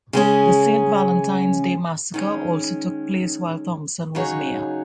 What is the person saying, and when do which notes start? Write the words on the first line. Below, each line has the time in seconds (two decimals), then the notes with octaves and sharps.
The Saint Valentine's Day Massacre also took place while Thompson was mayor.
0.13 C#3 G#3 C#4 G#4
2.14 D#3 G#3 C#4
4.15 C#3 F#3 D#4 G#4 C#5